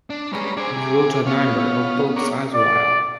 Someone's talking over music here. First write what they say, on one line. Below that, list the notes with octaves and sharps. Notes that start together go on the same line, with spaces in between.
He wrote a number of books as well.
D4
G3 G#3 C#4 B4 A#5
D4 G#4 C5 D6
C3
B3 C#4 F4
A#3 D4 C#5
D5